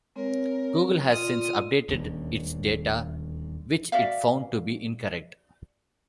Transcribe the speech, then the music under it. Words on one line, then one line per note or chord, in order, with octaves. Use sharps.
Google has since updated its data which it found to be incorrect.
G#3 C4 A#4 C#5
F4 D5 C6 D#6 F6
D#1 D2
F#4 D5 E5 F5